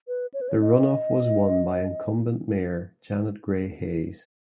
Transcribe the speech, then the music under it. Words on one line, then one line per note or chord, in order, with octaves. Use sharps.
The runoff was won by incumbent mayor Janet Gray Hayes.
B4
C#5
B4
C#5
D#5